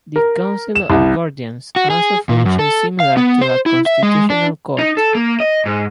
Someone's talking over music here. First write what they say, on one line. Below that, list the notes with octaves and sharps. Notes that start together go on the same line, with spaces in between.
The Council of Guardians also functions similar to a constitutional court.
A#4
E7
C2
F#4
G#4
A#2
F#2
A4
F5
B3
C5
E4
E5
G#3
D4
D#4
A4
A#3
D#5
G#2